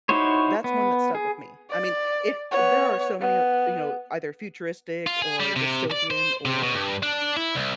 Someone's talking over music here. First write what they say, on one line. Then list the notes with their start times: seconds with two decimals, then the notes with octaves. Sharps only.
that's one that stuck with me. I mean, i there are so many, you know, either futuristic or dystopian or,
0.09 D#4 E4 F#4 C5 C#5
0.64 B3
1.15 G#4
1.70 D5
2.51 B3 C#5
3.21 B3
5.07 F4
5.22 G#4
5.40 G3
5.56 C3
5.91 D5
6.11 C5
6.45 C3
6.63 B2
6.75 G2
7.03 D4
7.37 E4
7.55 C2